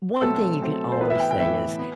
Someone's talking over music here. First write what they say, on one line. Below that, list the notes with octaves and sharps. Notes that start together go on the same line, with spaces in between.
one thing you can always say is
B2 F#3 A3 C4 A4
B2 F#3 A3 C4
C5
A2 E3 B3 B4
E5
G5
G5
A2 E3 B3 E5
B3